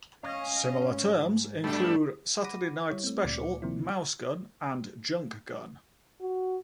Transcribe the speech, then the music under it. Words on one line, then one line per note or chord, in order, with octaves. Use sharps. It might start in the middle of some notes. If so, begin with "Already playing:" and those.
Similar terms include Saturday night special, mousegun, and junk gun.
C#4 D#5 F5
G#2
A#2 G3 A3 D4 B5
F#5 B5 D6 A#6 D#7
G3 E4 C#5
A3 C4
D2 A#2 D5 D6 C#7
C3 D#3 F3 A#3 C4 E4
F#4